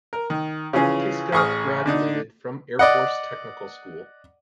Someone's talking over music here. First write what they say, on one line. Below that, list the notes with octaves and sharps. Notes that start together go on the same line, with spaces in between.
Kiska graduated from Air Force Technical School.
A#4
D#3
C#3 E3 F3 C#4 G#4
A1 G#4 C#6 D#6 F6
D3 D4 D#4
D5 D#5 F#5